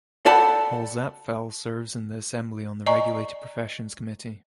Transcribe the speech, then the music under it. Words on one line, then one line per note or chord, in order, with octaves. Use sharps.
Holzapfel serves in the Assembly on the Regulated Professions Committee.
A4 D5 F#5 G5 A5 B5
D5 D#5 G#5 A#5 C#6